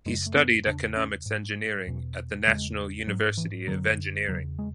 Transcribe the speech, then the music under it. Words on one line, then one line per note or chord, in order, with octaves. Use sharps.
He studied economics engineering at the National University of Engineering.
F#2 C#3 G#3
A3
B3
E2 C#3 D4
C#4
G#2
E2 B2
E2 C#3 G#3
G#2 F#3
E3
F#2 D3 F#3
E2 C#3 F#3
G#3